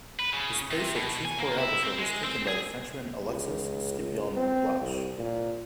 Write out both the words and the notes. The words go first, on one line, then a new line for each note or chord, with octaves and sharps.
His place of chief choreographer was taken by the Frenchman Alexis-Scipion Blache.
B4
C#3
C3
B2
G#5
A#3
E4
C4
G#3
C4
G#4
C#2
C#2
C4
C2
A#2